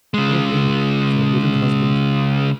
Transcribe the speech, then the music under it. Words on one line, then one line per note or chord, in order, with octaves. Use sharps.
"O me, for a wooden husband!"
C#3 G#3